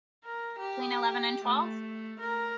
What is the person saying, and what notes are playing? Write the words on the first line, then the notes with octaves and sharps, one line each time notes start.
Between eleven and twelve?
A#4
G4
A3
A#4